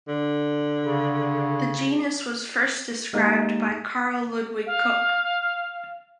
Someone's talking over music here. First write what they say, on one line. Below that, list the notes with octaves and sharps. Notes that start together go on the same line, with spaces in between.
The Genus was first described by Carl Ludwig Koch.
D3
C#3
G#3 A#3 D#4 G4 G#4
F5